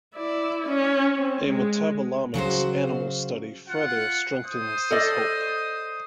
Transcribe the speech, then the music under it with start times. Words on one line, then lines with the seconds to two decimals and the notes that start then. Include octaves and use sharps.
A Metabolomics animal study further strengthens this hope.
0.16 E4 D5
0.68 C#4
1.16 C4
1.46 G#3
2.34 C#3 F#3 F#4 C5
3.68 F4 F#5
4.45 C5 D#6
4.91 A4 D5 D#5